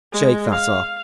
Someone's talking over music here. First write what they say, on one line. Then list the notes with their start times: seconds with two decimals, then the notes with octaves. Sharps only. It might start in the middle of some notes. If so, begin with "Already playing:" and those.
Shake that off!
0.12 G#3
0.51 F5